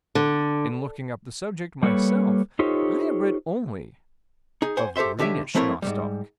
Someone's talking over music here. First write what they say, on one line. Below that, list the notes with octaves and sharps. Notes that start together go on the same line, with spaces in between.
In looking up the subject, myself, I have read only of greenish nostoc.
D3
G3 A#3 A4 B4 C#5
D#4 F4 G4 A4 C5 C#5
D#4 G#4
C5 F#5 G#5
G4 A4 C5 E5 C6
D#2 D3 G4 C#5 E5
F3 A3 C4 E4 A#4 C#5
G#2 C3 G3